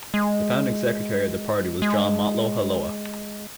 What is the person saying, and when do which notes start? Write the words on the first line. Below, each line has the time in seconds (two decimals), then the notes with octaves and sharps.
The founding secretary of the party was John Motloheloa.
0.14 G#3
1.82 G#3